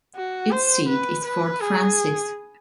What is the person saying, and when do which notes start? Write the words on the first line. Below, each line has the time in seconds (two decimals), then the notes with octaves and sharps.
Its seat is Fort Frances.
0.15 F#4
0.52 C5
0.88 B4
1.24 B4
1.61 G#4